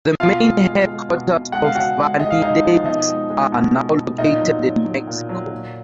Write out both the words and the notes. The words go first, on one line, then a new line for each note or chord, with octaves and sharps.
The main headquarters of "Vanidades" are now located in Mexico.
B2 F4 F5
G#3
G#3
G#3
B2
B2
G#3 F#5
F5
C#3 F#4 F#5
G#3
G#3 D#5
F5
G#3 D#4 D#5
F3
B2 D#4 D#5
G#3
G#3
B2
G#3
B2
A#2 D#4 D#5
F#3
F#3
F#3
A#2
F#3
A#2